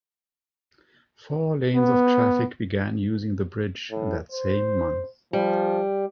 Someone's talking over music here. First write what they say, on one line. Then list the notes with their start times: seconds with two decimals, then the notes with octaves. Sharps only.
Four lanes of traffic began using the bridge that same month.
1.75 B3
3.91 A2
4.32 C5
5.33 F3 G3